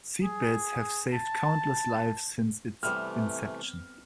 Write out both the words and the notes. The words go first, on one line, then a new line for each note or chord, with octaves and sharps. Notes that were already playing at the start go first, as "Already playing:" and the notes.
Seat belts have saved countless lives since its inception.
G#4
A5
C3 E3 G3 A3 B3 C4 F6